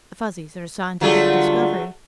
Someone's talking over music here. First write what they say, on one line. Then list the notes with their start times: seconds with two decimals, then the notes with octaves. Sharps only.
The Fuzzies are a scientific discovery.
1.01 D3 F#3 G3 A3 F4 G#4